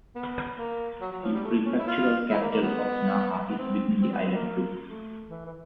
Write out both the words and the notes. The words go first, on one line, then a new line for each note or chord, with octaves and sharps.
The prefectural capital of Naha is within the island group.
B3
A#3
F#3
F#3
F3
G3
A3
C#4
E4
F4
E4
A#3
A#3
B3
B3
C4
C4
B3
C4
A#3
A3
E3
E3